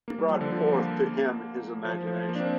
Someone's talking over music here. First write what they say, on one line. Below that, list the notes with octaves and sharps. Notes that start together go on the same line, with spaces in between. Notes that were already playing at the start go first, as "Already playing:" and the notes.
She brought forth to him his imaginations.
A#3
G3
F3
D3
F3
A#3
F3
F3
A#3
D4
C4